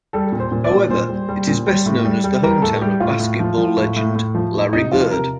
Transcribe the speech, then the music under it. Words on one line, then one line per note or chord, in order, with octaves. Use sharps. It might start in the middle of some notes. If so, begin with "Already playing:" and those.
However, it is best known as the hometown of basketball legend Larry Bird.
G3 A4
A#2
C5
A#2
D5
A#2
A#2 C5
G3
G3
A#2
G3
A2
G3
G3
G3 A#4
A2 A4
G3 G4
A2 F4
A2
F3
F3
A2
A2
A2
F3
A2
C3 D#4
F3 F4
C3 A#4